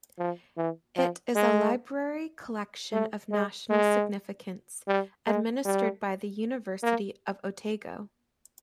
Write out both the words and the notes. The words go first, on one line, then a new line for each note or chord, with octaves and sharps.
It is a library collection of national significance administered by the University of Otago.
F3
E3
F3
G#3
A3
G#3
G#3
G3
G#3
G3
A#3